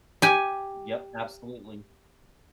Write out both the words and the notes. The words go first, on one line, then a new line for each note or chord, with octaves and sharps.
Yup, absolutely.
G4 G#5